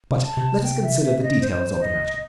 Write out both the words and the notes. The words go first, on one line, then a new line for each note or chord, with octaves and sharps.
But let us consider the details of the matter.
C3
A5
C3
G5
E5
E5
E5
D#5
C5
D#5